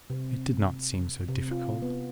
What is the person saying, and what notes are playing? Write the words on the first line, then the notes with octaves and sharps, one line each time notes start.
It did not seem so difficult.
C3
C3
F4
B3